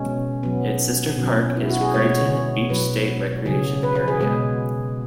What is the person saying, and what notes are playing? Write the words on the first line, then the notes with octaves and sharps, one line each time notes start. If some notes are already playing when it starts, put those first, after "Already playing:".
Its sister park is Grayton Beach State Recreation Area.
Already playing: B2 G#3 C#4
B2 F#3 B3
B2 F#3 C#4
E4
F#4
G#4
B2 G#3 C#5
B2 F#3 B4
C#3 F#3 G#4
B4
B4
G#4
B2 G#3 G#4